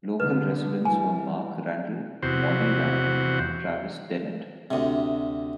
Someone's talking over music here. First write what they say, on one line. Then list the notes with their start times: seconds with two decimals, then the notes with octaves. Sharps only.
Local Residents were Mark Randall, Molly Randall, and Travis Dennett.
0.20 D3 B3 B4
0.85 E3 G3 G#5
2.22 E2 C3 F#4 C5
4.71 D2 C3